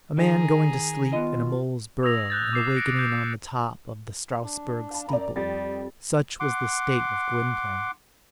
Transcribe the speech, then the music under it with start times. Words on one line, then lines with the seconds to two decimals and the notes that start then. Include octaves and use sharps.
A man going to sleep in a mole's burrow, and awaking on the top of the Strasbourg steeple; such was the state of Gwynplaine.
0.18 D#3 G#4 A#5
1.13 B3 F4 D#5
2.03 D#6 E6 G#6 A#6 F7
2.30 F#6 G6 A6
2.53 D6 C7 E7
2.76 A#6 C#7 D7
2.99 G6
4.43 D4
4.91 F5 A5
5.08 F#2 D5 A#5
5.36 F2 G3 G4 A6
6.40 F#5 C6 D6